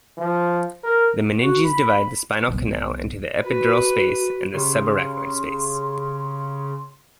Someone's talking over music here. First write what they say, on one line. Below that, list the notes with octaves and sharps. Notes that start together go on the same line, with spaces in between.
The meninges divide the spinal canal into the epidural space and the subarachnoid space.
F3
A#4
F#4
B5
C2 B2
F#4 B4
C#3 G4 C6